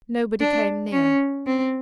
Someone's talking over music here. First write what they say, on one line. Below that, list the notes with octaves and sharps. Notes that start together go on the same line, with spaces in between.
Nobody came near.
D4
C#4
C4